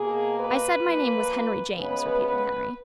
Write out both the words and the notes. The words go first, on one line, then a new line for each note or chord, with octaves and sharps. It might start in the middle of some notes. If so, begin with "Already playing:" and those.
"I said my name was Henry James," repeated Henry.
Already playing: B2 A#3 G#4
B4
A#2 F3 A#3
C#3 G#3 B3 B4
B4